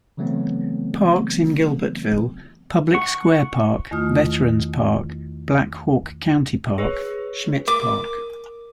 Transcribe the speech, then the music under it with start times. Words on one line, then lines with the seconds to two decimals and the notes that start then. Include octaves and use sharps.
Parks in Gilbertville Public Square Park, Veterans Park, Black Hawk County Park, Schmidt Park.
0.17 C#3 E3 F#3 A3 B3 C4
2.94 F#5 C#6
3.91 E2 D#3 A3 F4 D#6 F6
6.78 G#4 B4 C#5
7.68 A#4 D6